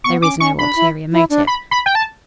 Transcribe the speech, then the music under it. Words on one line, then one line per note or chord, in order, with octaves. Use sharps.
There is no ulterior motive.
B3 C#6
C#4 D6
C#4 C#6
D4 B5
E4
E4
D4
B5
B5
G5
A5